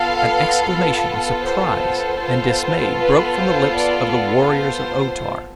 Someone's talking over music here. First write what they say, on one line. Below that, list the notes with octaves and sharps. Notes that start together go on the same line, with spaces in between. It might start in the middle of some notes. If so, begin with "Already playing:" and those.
An exclamation of surprise and dismay broke from the lips of the warriors of O-Tar.
Already playing: B3 F4 A4 F5
C5
C5
B3 F4 A4
B4
C5
D5
C5